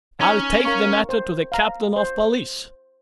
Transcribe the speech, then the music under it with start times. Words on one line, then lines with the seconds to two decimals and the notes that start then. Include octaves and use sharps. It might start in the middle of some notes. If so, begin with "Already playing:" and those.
I'll take the matter to the captain of police.
0.21 C#4 D#4
0.65 A#4 F5 A#5 C#6
1.09 C5
1.52 F5 A#5
1.96 C5